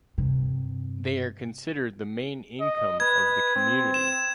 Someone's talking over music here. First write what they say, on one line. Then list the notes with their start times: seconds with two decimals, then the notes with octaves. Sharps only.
They are considered the main income of the community.
0.18 G2 C3
2.60 D#5
3.00 B4 G#6
3.56 C4
3.94 E7